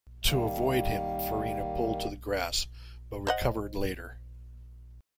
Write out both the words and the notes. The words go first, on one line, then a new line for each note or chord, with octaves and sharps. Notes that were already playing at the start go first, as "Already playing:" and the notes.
To avoid him, Farina pulled to the grass but recovered later.
D#3 G3 A#3
C5 D#5 F#5